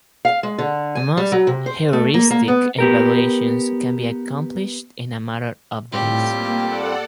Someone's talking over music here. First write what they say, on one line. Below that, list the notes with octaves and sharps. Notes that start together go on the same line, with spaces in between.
Most heuristic evaluations can be accomplished in a matter of days.
F5
G#3
D3
G#5
G3
F#3
C3
C5
A3
A#3
A#3
B3
B3 G4 A#4
A2 G3 C4 F4 G4
A#3
A4 D5 F#5